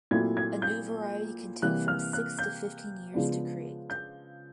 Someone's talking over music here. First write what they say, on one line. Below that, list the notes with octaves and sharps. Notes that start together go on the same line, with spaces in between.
A new variety can take from six to fifteen years to create.
A#2 F#3 A3 C4 E4 G#6
G#6
G6
C3 E3 G3 A#3 F#6
F6
F#6
G6
C#3 F3 G#3 B3 D4
G6